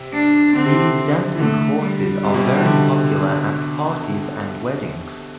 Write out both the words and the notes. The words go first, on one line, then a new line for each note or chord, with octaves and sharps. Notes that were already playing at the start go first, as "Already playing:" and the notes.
These dancing horses are very popular at parties and weddings.
Already playing: C3
D4
D3 C4
C3
D3
E3
D3 A3
G3
C3
B2
C3
D3
D3